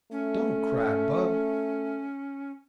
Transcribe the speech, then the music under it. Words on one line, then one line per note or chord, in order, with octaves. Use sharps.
Don't cry, bub.
A3 C#4